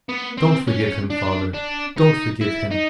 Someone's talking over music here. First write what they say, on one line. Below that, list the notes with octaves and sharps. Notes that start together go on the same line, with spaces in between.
'Don't forgive him, father, don't forgive him!
B3
C4
C#4
D4
D4
D#4
E4
D#4